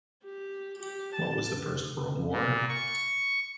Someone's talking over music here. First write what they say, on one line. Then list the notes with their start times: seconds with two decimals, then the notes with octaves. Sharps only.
What was the First World War?
0.24 G4
0.78 G4
1.15 A5
2.32 A#2
2.69 C#6